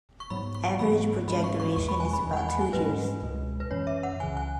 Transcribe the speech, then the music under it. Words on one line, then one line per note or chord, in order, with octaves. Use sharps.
Average project duration is about two years.
C#6
G#2 F#3 B3 B5
C#6
G#2 E3 B3 B5
G#2 G#3 C#4 B5
C#6
C#6
E2 B2 G#3 C#6
B5
G#5
B5
E2 E3 G#3
F#5
G#5
B5
G#5
G#2 G#3 C#4 B4
C#2 B2 G#3
B4
F#2 E3 C#4 C#5
E5
F#5
C#2 C#3 E3 G#5
G#5